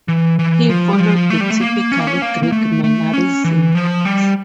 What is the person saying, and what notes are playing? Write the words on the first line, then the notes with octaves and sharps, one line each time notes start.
He followed the typical Greek mannerisms.
E3
E3
F3
G3
F3
A3
G3
A3
A#3
C#4
A#3
C#4
A#3
A#3
A3
A3
C#4
E3
F3
G3